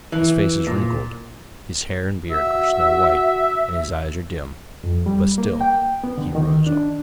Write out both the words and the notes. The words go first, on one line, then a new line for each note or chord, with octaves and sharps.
His face is wrinkled, his hair and beard are snow white, and his eyes are dim; but still he rows on.
E3
A#2
F#4 E5
F2
G3
A#3
G5
B3
D3
D#3
D4